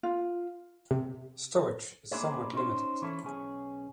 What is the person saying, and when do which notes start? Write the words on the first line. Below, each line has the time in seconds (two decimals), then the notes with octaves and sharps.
Stowage is somewhat limited.
0.03 F4
0.91 C3
2.11 A#3 D4 E4 G#4 C5
2.53 C#4 D#4 C5
3.02 E3 C#4 E4 A4
3.23 B1 C#4 G#4